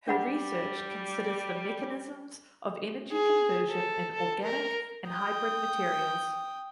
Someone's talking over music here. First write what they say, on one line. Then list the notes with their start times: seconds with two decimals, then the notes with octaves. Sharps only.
Her research considers the mechanisms of energy conversion in organic and hybrid materials.
0.08 G3 D4 F#5 B5
3.12 G#4
3.69 A4
4.14 A4
4.43 A#4
5.09 G5 D#6